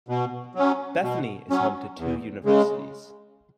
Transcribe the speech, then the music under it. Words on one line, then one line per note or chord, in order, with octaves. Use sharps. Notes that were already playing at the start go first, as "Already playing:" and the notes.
Bethany is home to two universities.
B2
F#3 C#4
B2
F#3 C#4
E2
C#3 G#3